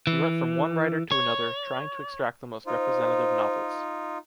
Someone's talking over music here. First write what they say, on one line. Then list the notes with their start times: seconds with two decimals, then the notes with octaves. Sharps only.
He went from one writer to another, trying to extract the most representative novels.
0.07 E3
1.12 C#5
2.67 D#4 F4 C5